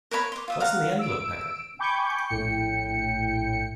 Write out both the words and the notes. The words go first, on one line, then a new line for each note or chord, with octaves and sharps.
What's in the envelope packet?
A#4 B4 C#5 B5
C6 D6
F4 E5 D#6
F5 F#5 A#5
E6 D7
G5 G#5 B5 C#6 D6 G6
A#1 A2 G5 C#7